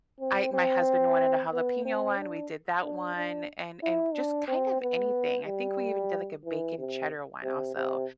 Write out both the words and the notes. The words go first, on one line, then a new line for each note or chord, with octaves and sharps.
I my husband wanted a jalapeno one. We did that one, and and just kind of anything, I think we even did, like, a bacon cheddar one, also.
C4
C4
B3
C4
D4
D4
D4
E4
D4
C4
B3
G3
E3
C3
C3
C3